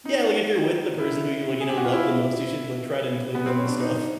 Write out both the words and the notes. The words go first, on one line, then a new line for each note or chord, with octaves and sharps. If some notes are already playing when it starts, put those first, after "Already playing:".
Yeah, like if you're with the person who you like, you know, love the most, you should, like, try to include them and stuff.
D#4
E4
G#4
G4
F#4
F4
E4
B3
C4
C#4
D4
D#4